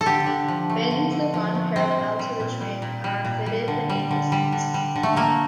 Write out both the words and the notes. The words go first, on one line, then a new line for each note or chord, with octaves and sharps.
Fins that run parallel to the train are fitted beneath the seats.
A4
D3 G4
D3
F3
A3
D3
D3
F3
A3
G3 C4
A#2
G3
A#2
G3
A#2
G3
A#2
G3
D3
G3
D3
G3
D3
G3
D3
A3
A3 A#3